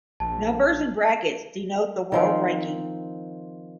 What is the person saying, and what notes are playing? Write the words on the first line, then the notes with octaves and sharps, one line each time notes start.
Numbers in brackets denote the World ranking.
A#1 A5
D#3 F3 C4